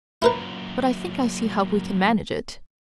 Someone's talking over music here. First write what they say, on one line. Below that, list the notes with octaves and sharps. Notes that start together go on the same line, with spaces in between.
But I think I see how we can manage it.
F#2 A#2 E4 A#4 B4